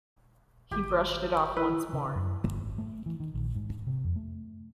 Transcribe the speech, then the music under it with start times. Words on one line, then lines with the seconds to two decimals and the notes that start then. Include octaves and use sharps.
He brushed it off once more.
0.71 G#1 G4
1.57 E4 B4
1.93 C#3
2.15 F#2
2.46 G1
2.64 G#1
2.78 A3
3.06 E3
3.20 D#3
3.34 A#1
3.55 G#2
3.87 C3
4.04 F2
4.16 A3